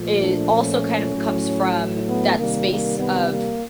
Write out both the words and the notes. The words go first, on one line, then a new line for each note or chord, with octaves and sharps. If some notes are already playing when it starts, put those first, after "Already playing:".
it also kind of comes from that space of,
Already playing: A#2 F3 A3
D4
C#4
A2 F#3 A3
B3
C3 D#3 G3 A#3
A#3
B3
A#3